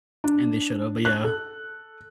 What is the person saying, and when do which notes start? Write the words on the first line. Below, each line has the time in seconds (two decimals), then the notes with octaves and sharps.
And they should've, but yeah.
0.24 D4
1.05 F#6
1.24 A4